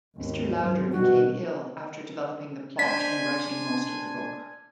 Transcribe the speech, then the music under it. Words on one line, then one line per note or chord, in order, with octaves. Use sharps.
Mr. Lowder became ill after developing the plot and writing most of the book.
G#1 D#2
F#2
B2 G3 F#4
D4 C5 G#5 B6